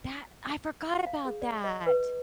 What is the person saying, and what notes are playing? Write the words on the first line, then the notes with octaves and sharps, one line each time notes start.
that I forgot about that.
F5
G#4
D5
D#5
B4